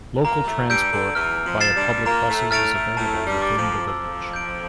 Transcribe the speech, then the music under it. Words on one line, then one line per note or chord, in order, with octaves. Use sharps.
Local transport via public buses is available within the village.
A#2 A#3 A#5
G3
A2 A3
G2 G3 E6 G6 D7
D3
E2 E3 F6
F2 F3
A6 C7 E7
G2 G3
A#2 A#3 A#5
A2 A3
A2 A3 F6 A6 D7 F7
A2 A3
A2 A3 A5
G2 G3
D6 A6 D7 G7
F2 F3
F2 F3 E6
G6 D7